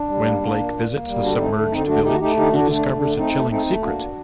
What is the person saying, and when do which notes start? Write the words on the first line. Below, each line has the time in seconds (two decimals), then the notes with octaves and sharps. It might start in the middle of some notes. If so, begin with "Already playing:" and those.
When Blake visits the submerged village he discovers a chilling secret...
Already playing: D4
0.09 G3
0.25 A#3
0.41 A#3
0.57 A#2
0.74 A#3
0.89 A#3
1.07 G3
1.23 D3 D4 F#4
1.38 A3 C4 D#4
1.55 D3
1.71 D3 C4 D#4
1.88 A3 D4 F#4
2.03 A3 D#4 G4
2.14 F#4
2.20 A3 D#4 G4
2.36 D3 D#4 G4
2.52 D3 D4 F#4
2.69 A3 D4
2.86 D3
2.97 A3 D4
3.17 A3 C4 D#4
3.33 A3
3.50 A3 C4 D#4
3.66 A3
3.82 A#3 D4 F#4
3.99 A#2